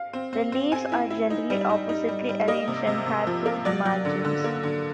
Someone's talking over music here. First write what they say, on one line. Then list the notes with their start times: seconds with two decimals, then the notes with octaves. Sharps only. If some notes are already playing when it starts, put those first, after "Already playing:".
The leaves are generally oppositely arranged and have toothed margins.
Already playing: F5
0.13 C4
0.33 C4
0.52 C4
0.72 C4 G#5
0.92 E4
1.10 E4
1.30 D#4
1.50 G3
1.69 D#4
1.89 D#4
2.09 G3
2.29 G3
2.48 A#3 D#5
2.68 C3
2.87 C3
3.06 C3
3.27 F3
3.46 A#3
3.65 F#3 D5
3.85 F#3
4.05 D3
4.25 D3
4.44 A#3
4.63 D3